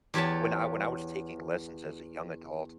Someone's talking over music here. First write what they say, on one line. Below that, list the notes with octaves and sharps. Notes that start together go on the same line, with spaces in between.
when I when I was taking lessons as a young adult,
E2 G4 C#5 G5 A5